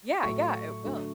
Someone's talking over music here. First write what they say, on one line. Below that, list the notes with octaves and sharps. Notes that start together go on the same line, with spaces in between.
Yeah, yeah, it will.
A2 F#3 A3 C#6
D3 F#3 A3